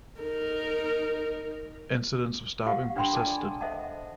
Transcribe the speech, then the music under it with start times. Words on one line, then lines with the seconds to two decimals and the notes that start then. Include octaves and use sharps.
Incidents of stabbing persisted.
0.21 D#4 A#4
2.66 G4 F5 F#5
2.96 D4 C#5 F#5 G5 B5 C6
3.13 G#4 A4 D5 G#5 A5
3.61 A4 C5 D#5 E5 F#5 A5